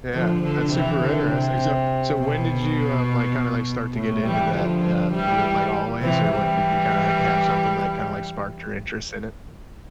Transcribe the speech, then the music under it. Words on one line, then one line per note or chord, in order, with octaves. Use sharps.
yeah, that's super interesting. So so, when did you, um, like, kinda, like, start to get into that? Um, was it like always or what? Did you kind of hack have something, like, kinda, like, sparked your interest in it?
D3 F3
D3 F3
C3 E3
D3
C3
B2
A2
E3 G3
D3 F3
E3 G3
C3 E3
E3 G3